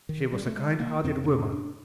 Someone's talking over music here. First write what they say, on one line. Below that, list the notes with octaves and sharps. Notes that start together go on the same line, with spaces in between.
She was a kind-hearted woman.
D#3
G3
A3
G#3
A#3
F2 C3 C4
C4
C#4
D4